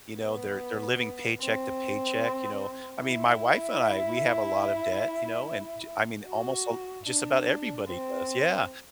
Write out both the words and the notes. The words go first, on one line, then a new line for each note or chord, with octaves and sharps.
you know, they're they're living paycheck to paycheck, you know. I mean, my wife and I, we have a lot of debt, you know, and j I mean, almost just about all everybody does, yeah.
B3
C4
E4
F#4
D4
C4